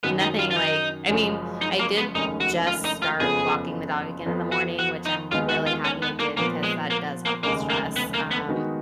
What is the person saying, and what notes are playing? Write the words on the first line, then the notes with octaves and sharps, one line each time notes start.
nothing like I mean, I did just start walking the dog again in the morning, which I'm r really happy I did because that does help with stress, um.
F#2 D#3 F#3 B3
D#4
F4
F4
D#4
F#1 F#2 C#3 F3 G#3
D#4
A#3
B3
F1 D#2 D#3 G#3 C#4 D#4
F#4
F4
D#4
F4
F#1 F2 C#3 F3 B3 G#4
F2 F3 B3
F#4
F#4
D#4
D#2 D#3 G#3 B3 D#4 F4
F#4
F4
C#4
B3
A#3
A#2 F3 A#3 B3
G#3
A#3
A#3
F1 D#2 C#3 G#3 A#3
A#3
B3
A#3
B3
D#3 G#3 B3 D#4 F#4